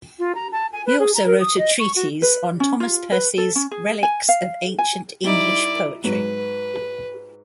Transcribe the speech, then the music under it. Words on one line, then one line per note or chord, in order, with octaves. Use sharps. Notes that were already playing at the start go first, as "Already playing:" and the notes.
He also wrote a treatise on Thomas Percy's "Reliques of Ancient English Poetry".
F4
A#5
A5
G#5
B4
G#4
A#5
A#4
D#6
D#5
C#6
F#4
B4
C#4
F4
B4
A4
C#4
G#4
G#5
F5
G#5
G3 D#4 E4 D5
G#2 F#3 B4